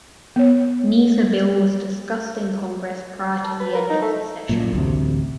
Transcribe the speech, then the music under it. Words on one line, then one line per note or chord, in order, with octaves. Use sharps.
Neither bill was discussed in Congress prior to the end of the session.
B3 C#5
A5
B4
A#4
D#4
A3
F#2 A#2
A1 D2 C3